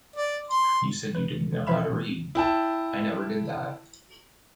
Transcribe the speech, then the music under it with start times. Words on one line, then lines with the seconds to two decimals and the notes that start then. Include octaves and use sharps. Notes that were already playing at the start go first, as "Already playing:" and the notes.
You said you didn’t know how to read. I never did that.
0.16 D5
0.50 C6
1.15 B4
1.52 D3
1.67 B2 E3 F3 E5 B5 E7
1.90 A#2 E3
2.35 E4 G5 A5